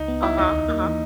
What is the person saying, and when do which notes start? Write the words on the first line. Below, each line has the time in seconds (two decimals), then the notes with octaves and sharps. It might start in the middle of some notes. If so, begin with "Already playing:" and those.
Uh-huh. Uh-huh.
Already playing: C#2 D#4
0.08 B3
0.23 C#2 E4
0.38 D#2 D#4
0.53 D#2
0.68 A#3
0.84 E3